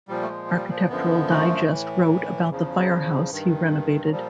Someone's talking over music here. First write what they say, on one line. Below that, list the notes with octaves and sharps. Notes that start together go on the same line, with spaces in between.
Architectural Digest wrote about the firehouse he renovated.
A#2 F3 G3
A3
G#3
G3
F3
F#2 D3 F3 B3
A3
A2 E3
E2 C#3 F3
G2 D#3
F#3
A#2 F3 G3